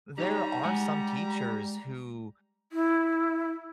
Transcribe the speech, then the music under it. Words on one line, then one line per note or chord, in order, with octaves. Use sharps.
there are some teachers who
G3 D#4 G4 C#5 A#5
G#3 F#5 G#5
E4